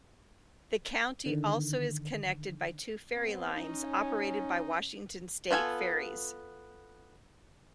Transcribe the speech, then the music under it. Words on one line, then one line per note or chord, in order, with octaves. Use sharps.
The county also is connected by two ferry lines operated by Washington State Ferries.
D3 D#3
B3 C4
C#4 D#4
B3 F4 A4 G#5